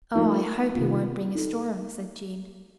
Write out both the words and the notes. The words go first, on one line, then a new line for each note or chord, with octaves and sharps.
"Oh, I hope he won't bring a storm," said Jean.
F3 A3 D#4 A#4
C3 D#3 A#3 F4
D#4 A4